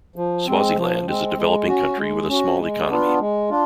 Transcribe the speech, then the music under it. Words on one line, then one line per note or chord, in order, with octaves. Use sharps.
Swaziland is a developing country with a small economy.
F3
G#3 C4
F3
G#3 C4
G#3
C#4 F#4
G#3
C#4 F#4
G#3
B3 D4 F4
G#3
D4 F4